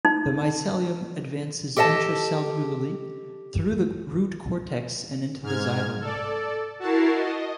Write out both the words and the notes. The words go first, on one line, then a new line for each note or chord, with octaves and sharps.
The mycelium advances intracellularly through the root cortex and into the xylem.
D#4
G4 A4 D#5 F5 A5
G#2 F6 G#6
A4 D5
E4 F#4 A#4 A5 C7
D#5